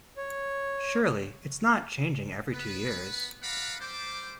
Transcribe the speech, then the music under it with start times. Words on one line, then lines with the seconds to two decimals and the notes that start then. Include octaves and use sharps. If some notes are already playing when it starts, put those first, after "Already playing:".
Surely, it's not changing every two years.
0.17 C#5
2.53 B3 B4
3.42 B4 D5 F5 F#5 A#5 B5
3.80 G3 C5 D6